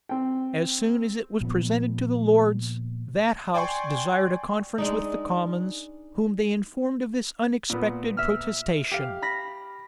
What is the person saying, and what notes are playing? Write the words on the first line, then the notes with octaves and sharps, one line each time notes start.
As soon as it was presented to the lords, that house desired a conference with the commons, whom they informed of this unexpected protestation.
C4 G5
A#2 F3 B3
D5 G5 G#5 C6 C#6
G#3 D4 D#4
A#2 B3
E5 F6
G4 F5
B5 A#6 B6